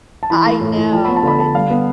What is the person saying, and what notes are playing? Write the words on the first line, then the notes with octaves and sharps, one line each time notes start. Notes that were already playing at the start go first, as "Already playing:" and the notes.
I know. It's
A5
E3 B5
A3
A2
A2
F3 A5
B3 B5
A5
D3 B5
D3 A5
G3 F5
B3